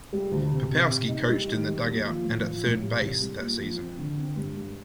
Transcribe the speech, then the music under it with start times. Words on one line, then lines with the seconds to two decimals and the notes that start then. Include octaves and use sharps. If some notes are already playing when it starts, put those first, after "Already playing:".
Popowski coached in the dugout and at third base that season.
0.13 G3
0.32 D2
0.52 C3
0.70 C3
0.90 C3
1.08 D#4
1.27 G3
1.47 D#3
1.67 G3
1.86 D#2
2.04 F3
2.24 A2
2.44 F3
2.64 A2
2.82 G3
3.01 C2
3.21 G3
3.40 A#2
3.59 F3
3.78 C4
3.98 D3
4.18 C4
4.36 G2
4.55 G2